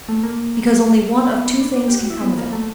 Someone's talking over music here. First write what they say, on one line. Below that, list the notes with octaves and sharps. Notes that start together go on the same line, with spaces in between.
"Because only one of two things can come of it."
A3
A#3
B3
B3
D4
D4
G4
F#4
E4
B3
A#3
A3